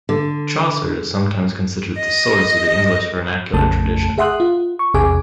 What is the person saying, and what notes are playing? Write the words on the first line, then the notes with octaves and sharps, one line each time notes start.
Chaucer is sometimes considered the source of the English vernacular tradition.
D3
D#5
A#1 F2 C#3 A3 A5
G#4 E5 F#5 C6 D#6 F#6
F4
C#6
A#1 E2 C3 G#4 G#5 D6